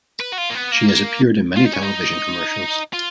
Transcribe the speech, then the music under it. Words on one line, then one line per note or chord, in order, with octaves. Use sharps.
She has appeared in many television commercials.
B4
F#4
F4
A#3
B3
A#3
A#3
F4
D#4
C#4
D#4
F4